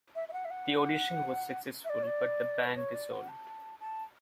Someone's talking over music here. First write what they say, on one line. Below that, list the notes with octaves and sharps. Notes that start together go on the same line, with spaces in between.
The audition was successful, but the band dissolved.
E5
E5
F#5
E5
F#5
E5
D5
C#5
D5
B4
C#5
D5
F#5
A5
A5